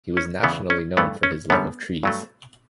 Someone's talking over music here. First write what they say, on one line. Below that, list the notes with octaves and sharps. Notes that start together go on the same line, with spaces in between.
He was nationally known for his love of trees.
C#4
E2 C#3 E3 B3
C#4
G2 E3 A3 B3
C#4
F#2 D3 G3 B3
G2 F#3 A3